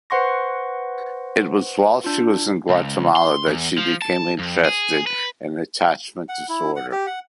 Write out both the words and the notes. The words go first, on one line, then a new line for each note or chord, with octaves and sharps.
It was whilst she was in Guatemala that she became interested in attachment disorder.
B4 C5 F#5 C6 C#6 A#6
D4 F4
C#2
C6
E2
F3
A5
F2
G#4
B4
F#5
E4
F#5
G4
F#5